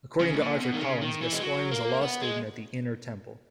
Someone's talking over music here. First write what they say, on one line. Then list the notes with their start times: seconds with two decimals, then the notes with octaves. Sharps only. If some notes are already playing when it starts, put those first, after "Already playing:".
According to Arthur Collins, Gascoigne was a law student at the Inner Temple.
0.20 C#3
0.34 G#2
0.40 A#2
0.60 B2
0.73 D#3
0.81 C#3
1.01 D#3
1.21 E3
1.32 G#3
1.41 F#3
1.71 A#3
2.01 B3
2.22 G#3